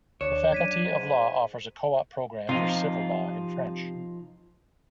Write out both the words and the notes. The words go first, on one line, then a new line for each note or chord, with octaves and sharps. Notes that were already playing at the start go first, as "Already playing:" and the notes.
The faculty of law offers a co-op program for civil law in French.
D2 D4 C#5 E7
F#3 C#4 G#6 B6 D#7
G#2
C3 F3 D#4 F4